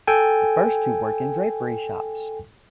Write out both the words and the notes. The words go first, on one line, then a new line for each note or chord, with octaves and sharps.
The first two work in drapery shops.
A4 G5 G#5